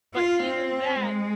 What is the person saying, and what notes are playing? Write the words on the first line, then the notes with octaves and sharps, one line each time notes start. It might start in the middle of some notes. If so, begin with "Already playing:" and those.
But even that
F4
C4
G#3